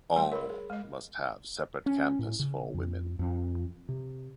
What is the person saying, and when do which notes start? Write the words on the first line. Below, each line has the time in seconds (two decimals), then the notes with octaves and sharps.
All must have separate campus for women.
0.16 G3 A3 C6
0.32 A#4 C#5 B5 C6
0.49 G#4
0.70 G#3 D#5
1.86 C#4
2.19 A2
2.39 C#3
2.74 F2
3.19 F2
3.89 C3